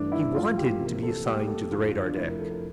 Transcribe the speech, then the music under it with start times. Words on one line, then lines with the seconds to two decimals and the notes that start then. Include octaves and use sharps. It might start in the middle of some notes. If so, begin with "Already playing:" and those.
He wanted to be assigned to the radar deck.
Already playing: G2 E3 A3 D4
0.12 E4
0.35 A2 F3 A3 F4
0.57 G4
0.80 C3 E3 A#3
1.03 A4
1.25 A2 G3 A#3 G4
1.48 A4
1.71 F2 D3 G3 F4
1.94 D4
2.05 D4
2.16 F2 C3 F3 A3 E4
2.28 A#4
2.39 A4
2.50 A#4